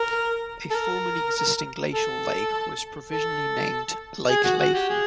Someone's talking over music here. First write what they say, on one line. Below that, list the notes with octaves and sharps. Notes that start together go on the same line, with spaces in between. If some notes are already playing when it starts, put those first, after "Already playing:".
A formerly existing glacial lake was provisionally named "Lake Lapham".
Already playing: A#4
A4
A#4
A4
A4
G#4
F#4
F#4
G4
G#4